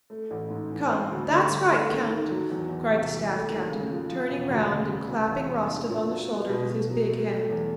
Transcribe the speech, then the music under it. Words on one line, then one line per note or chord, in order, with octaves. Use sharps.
"Come, that's right, Count!" cried the staff captain, turning round and clapping Rostov on the shoulder with his big hand.
A3
A1
G#2
E3
C4
D2
D3
G3
A3
D#2
D#3
F#3
E2
E2
C3
E3
A3
D#2
C#3
F3
F3
E1
D2
C#3
F1
F1
E2
C3
D4
A#2
F#3
B3
B2
B2
F#3
A3
A3
E2